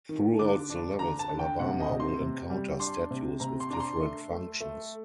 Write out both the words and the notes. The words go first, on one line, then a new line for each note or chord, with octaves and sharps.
Throughout the levels Alabama will encounter statues with different functions.
D#3
D3 D6
D4
D3 A#5
A5
D3
G5
C3 F#5
D#5
C3
C6
C3
G3
D4 C6
C3
C3 A#5
C6
D4 A#5
C6
A3
A3
A3